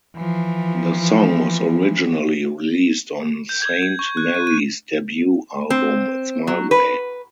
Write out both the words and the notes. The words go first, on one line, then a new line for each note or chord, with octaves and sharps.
The song was originally released on Sainte-Marie's debut album It's My Way!
E3 F3
G6
G#6
G#6
C#6
F#6
D#7
D#7
C4
F#3
B4